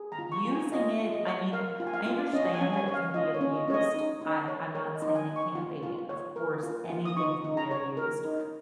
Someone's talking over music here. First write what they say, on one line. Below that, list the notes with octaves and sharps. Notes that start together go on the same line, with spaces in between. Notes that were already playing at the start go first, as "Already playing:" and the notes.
using it I mean, I understand that it can be abused. I I'm not saying it can't be. Of course, anything can be abused.
Already playing: G#4
A#5
F4
C#6
F4
G#5
F4 D#5
F4
D#5
C#5
A#4 F5
F4
G#5
F5
F4
C#4 D#5
G#5
C#4
G#5
C#5
F5
F4 D#5
C#5
C#4
D#5
C#4 C#5
D#5
D#4
D#4
C#5
A#4 C#5
D#5
D#4
G#5
D#4
C#6
F4
F4
C#5
A#4
F4
F4
D#6
D#4 C#6
D#4
A#5
C#5
A#4
D#4